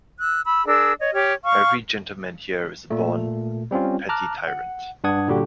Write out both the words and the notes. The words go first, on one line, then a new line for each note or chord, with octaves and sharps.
Every gentlemen here is born a petty tyrant.
E6 F#6
B5 E6
D4 G#4 A#4 E6
C#5 D#5
G4 C#5 F6
F5 C#6 F6
A#2 A3
G3 C4 C#4 F4
A5 A#5 D6 F6 F#6
F#5
G2 D4 F#5 D#6 G#6
A#2 D3 G3 F#4 G4